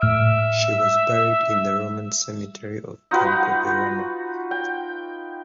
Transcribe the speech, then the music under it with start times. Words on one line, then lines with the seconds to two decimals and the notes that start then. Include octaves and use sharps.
She was buried in the Roman cemetery of Campo Verano.
0.01 A2 E5 F6 D7
3.11 D#4 F4 F#4 B4
4.51 G5